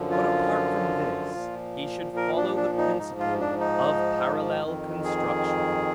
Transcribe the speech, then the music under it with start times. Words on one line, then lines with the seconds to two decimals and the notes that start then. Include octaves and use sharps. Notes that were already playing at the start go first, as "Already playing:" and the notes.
But apart from this, he should follow the principle of parallel construction.
Already playing: F#2 D3 F3
0.11 F4
1.34 A#2 F3
2.17 A#4
2.37 D4
2.57 D4
2.78 D#4
2.99 G#2 F3 D#4
3.20 F4
3.40 D4
3.60 D#4
4.63 F2 D#3
5.04 G#4